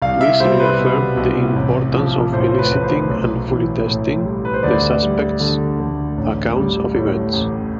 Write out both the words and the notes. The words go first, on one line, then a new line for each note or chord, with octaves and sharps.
This reaffirmed the importance of eliciting and fully testing the suspects’ accounts of events.
C2 F5
E5
G3 C5
B4
B2
C2
A1
F3
A2 C5
B4
A1
C5
B1
E3
A2
G3
B4
C5
D2 D5
G3
D3
D2
A1
G3
A2
A1